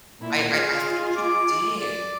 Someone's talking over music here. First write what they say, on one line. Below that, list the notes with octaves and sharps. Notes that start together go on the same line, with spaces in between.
I I I think he did.
A#2 E4
F4 G#4 D#5 F5
D6
D5